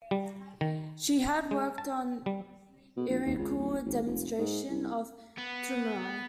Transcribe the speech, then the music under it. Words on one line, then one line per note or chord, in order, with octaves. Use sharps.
She has worked on lyrical demonstration of Thumri.
G3
D#3
G#3
A5
G3
B2
A#1
D#2
C#2
D1
G#1
F1
G#2
C2
B3